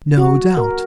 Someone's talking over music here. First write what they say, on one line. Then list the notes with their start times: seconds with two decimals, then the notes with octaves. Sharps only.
No doubt.
0.18 F#4
0.57 A#4